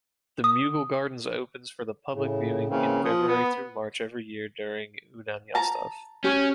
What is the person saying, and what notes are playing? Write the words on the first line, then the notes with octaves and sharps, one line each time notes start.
The Mughal Gardens opens for general public viewing in February-March every year during "Udyanotsav".
D#6
A2 C#3
C#3 E3 A#3 C4
F3 D#6
B3
A5 A#5
C#4 G4